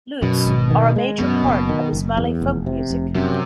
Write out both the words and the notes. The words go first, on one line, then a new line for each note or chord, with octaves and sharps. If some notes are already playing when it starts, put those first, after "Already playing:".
Lutes are a major part of Ismaili folk music.
F#2 B2
G#1
D#3
G#3
F#2 B2
F#1
D#3
F#1
E2
F1
C3
F1
F#2 C3